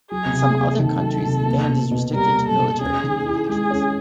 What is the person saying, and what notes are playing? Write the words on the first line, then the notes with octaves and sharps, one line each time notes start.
In some other countries, the band is restricted to military communications.
F#3 G#4
C3
A#3
D#3 A4
F#3
C3
A#3
B2
B2
G3 A#4
A#3
A4
B2
C#4 G#4
D#3
E4
G#3 G#4
C#4